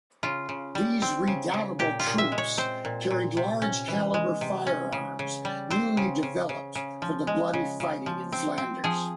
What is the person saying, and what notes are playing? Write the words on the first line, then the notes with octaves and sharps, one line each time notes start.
These redoubtable troops carried large-calibre firearms newly developed for the bloody fighting in Flanders.
C#3 F4
C#3
G3
C4
C#3
C#3
A#2 G4
F4
A#2
E5
G#3
C#5
C4 C5
A#2
A#2
C3
C#4
E3
G#3
C3
C#4
C#3
C#3
G3
C4 C5
C#3
C#3
C#3
C#3
F3
G#3
C#3
C#3
F3
C4
C4
F3 G#4